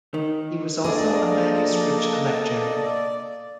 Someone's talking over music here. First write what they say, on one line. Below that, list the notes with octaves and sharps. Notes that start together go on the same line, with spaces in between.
He was also a manuscript collector.
D#3
A#3 D4 G#4 A4 D5 D#5